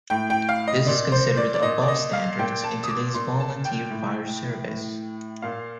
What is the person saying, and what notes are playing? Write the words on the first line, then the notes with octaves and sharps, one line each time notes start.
This is considered above standards in today's volunteer fire service.
A2 G5
G5
F5
D#5
A#2 D5
C5
D5
D5
A#2 D#5
D5
D#5
F5
A#2 G5
A5
D#6
D6
A#2 C6
A5
G5
A2
A2
A#2 F5